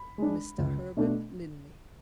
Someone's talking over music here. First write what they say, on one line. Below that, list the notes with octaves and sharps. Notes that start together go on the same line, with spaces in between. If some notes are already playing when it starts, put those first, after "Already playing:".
Mr. Herbert Linley.
Already playing: B5
G#3 D4
C#2
B2 A3 D4